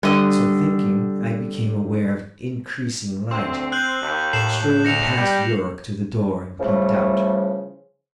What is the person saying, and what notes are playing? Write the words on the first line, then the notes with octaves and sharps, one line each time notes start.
So thinking I became aware of increasing light; strode past Yuruk to the door and peeped out.
D3 G3 D#5
D2 C4
F#6 G6 F#7
D#2
A2 C7 E7 F#7
D2 A#6 C#7 F7
G3
C#3 E3 F3 G3 A3